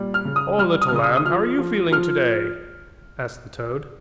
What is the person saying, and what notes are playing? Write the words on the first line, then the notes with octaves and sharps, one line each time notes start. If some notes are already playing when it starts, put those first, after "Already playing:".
"O, little lamb, how are you feeling today?" asked the toad.
Already playing: A#2 G3
F6
C#3
D#6
G3 F6
D#6
F6
C#3 D#6
D#6
D#6
F3 F6
F3
F3 F6